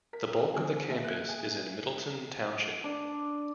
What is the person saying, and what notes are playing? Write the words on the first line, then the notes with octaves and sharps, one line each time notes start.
The bulk of the campus is in Middletown Township.
A#4 B6
D3 E3 A3 C4 F#4 G#4
A#3 A4 E5 F5
F#6
G#4
D4